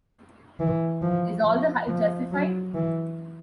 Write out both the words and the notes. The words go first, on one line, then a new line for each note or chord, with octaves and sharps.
Is all the hype justified?
E3
F3
F3
F3
F#3
E3